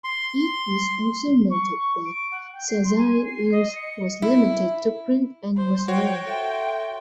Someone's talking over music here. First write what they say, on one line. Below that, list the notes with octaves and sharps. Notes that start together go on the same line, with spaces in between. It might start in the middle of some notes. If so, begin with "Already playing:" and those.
It was also noted that shazai use was limited to print and was rare.
C6
C#6
D7
F#5
G5
C7
C6
G#5
C7
D#5
C#7
E4
C5
F#4 C5 C#5 G5
A4 E5 G5 C6